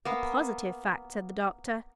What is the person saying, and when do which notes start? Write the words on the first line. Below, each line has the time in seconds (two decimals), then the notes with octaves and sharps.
"A positive fact," said the Doctor.
0.05 A#3 B3